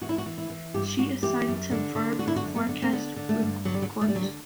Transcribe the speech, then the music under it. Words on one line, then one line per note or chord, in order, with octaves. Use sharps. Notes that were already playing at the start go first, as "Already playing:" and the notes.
She is signed to Verve Forecast Records.
E3 F#4
E4
F#4
E3
E4
E3
G2 G4
G2 F#4
E3 G4
F#2
D3
D3
D3 F#4
E4
F#4
F#2
B3
D3
C4
D3 B3
D3
A3
G2
D3 F#3
G3
F#3
D3
A3
G3
D3 F#3
G3